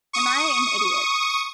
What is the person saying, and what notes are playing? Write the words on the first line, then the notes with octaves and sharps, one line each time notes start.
Am I an idiot?
C#6 D#6